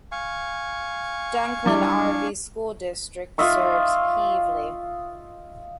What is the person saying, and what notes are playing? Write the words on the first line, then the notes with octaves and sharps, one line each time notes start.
Dunklin R-V School District serves Pevely.
F5 G#5 C#6
G3 D4 E4 D6
F4 D#5 E5 C#6